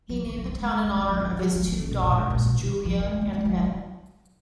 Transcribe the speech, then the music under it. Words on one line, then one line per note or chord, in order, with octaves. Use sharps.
He named the town in honor of his two daughters, Julia and Etta.
F3
D#3
F#3
A#3
G#3
G#3
A#3
F#3
F3
D#3
F#3
F3
F#3
F3
C#3
B2
A#2
G#2
A#2
B2
D#3
F3
A#3
G#3
A#3
G#3
F#3
F#3